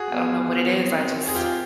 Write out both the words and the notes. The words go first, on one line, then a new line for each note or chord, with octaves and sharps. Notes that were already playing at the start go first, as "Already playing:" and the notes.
I don't know what it is. I just
Already playing: F#4 G#4
B3
C4
G#4
F4 G4